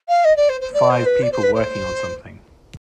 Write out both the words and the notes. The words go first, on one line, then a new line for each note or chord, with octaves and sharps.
Five people working on something.
F5
D#5
D5
C5
C5
D5
C5
B4
D5
C5
B4
C5